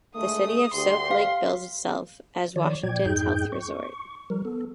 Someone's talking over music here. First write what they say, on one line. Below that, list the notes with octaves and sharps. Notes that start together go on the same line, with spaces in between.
The city of Soap Lake bills itself as "Washington's Health Resort".
D2 G#3 A3 D#6
D2 G4 C6
F5
D#3 F3 C#5 D5
A#2 F3 D5 G5 G#6
F2 G#2 D#4 G#4 G5 G6
C#6
F3 G3 A#4
B3 A4